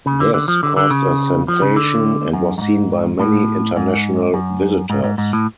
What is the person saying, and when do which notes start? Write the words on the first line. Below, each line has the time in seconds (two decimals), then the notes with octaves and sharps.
This caused a sensation and was seen by many international visitors.
0.06 C#3
0.20 D3
0.34 D3
0.48 F3
0.63 D3
0.77 D3
0.90 C#3
1.48 F3
1.62 C#3
1.76 D3
2.33 F#2
2.58 F#2
2.62 G#2
3.19 A2
3.76 G#2
4.34 F#2
4.90 G#2
5.04 G#2
5.18 G#2
5.33 A2